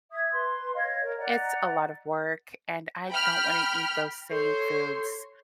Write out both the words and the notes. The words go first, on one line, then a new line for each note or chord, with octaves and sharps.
It's a lot of work, and I don't wanna eat those same foods
E5 D#6 G#6
B4 C6
C#5 D#5 F5 G#6
A#4 C#5
D5 D#5 F#5 A#5
G5 B5 F6
A4 C5 C#5 C6